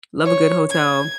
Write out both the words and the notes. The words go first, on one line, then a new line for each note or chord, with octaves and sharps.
love a good hotel,
C#5
G#6